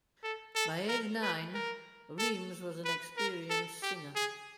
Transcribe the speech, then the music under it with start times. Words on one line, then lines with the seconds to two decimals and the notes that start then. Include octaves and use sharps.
By age nine, Rimes was an experienced singer.
0.23 A4
0.55 A4
0.88 A#4
1.22 B4
1.54 A#4
2.19 A4
2.85 B4
3.17 A#4
3.50 A4
3.83 G4
4.15 G#4